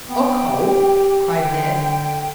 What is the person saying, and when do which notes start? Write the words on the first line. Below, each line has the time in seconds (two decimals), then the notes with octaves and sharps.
"Or coal," cried Ned.
0.09 B3 G5
0.50 G4
1.35 D3 G5